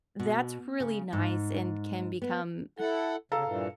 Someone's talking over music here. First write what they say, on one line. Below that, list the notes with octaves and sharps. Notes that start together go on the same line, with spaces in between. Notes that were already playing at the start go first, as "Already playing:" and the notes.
that's really nice and can become, uh,
B2
C#3
G#2
B3
E4 A4 F#5
C#3 A4 F5 A#5
G2 A#2 E3